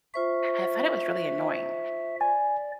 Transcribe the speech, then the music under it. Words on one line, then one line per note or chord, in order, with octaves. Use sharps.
I I thought it was really annoying,
F4 C5 E5 C#6
D5 G#5